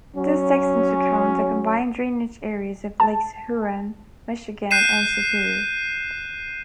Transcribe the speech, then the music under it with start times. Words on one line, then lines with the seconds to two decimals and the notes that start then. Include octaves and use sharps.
This takes into account the combined drainage areas of Lakes Huron, Michigan, and Superior.
0.15 F#3 C#4
3.00 A5
4.71 F#6 G6 C7 D#7 E7